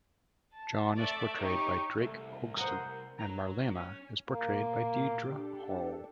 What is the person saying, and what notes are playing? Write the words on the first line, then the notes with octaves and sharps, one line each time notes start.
John is portrayed by Drake Hogestyn and Marlena is portrayed by Deidre Hall.
A5
A3 D5 E5
D#4 G4 C#5 C#6
C2 A3
A#4 C5 F#5 D#6
F#3 A#5
C#4
A#2 A#3 C6 D6
D4 G4 A4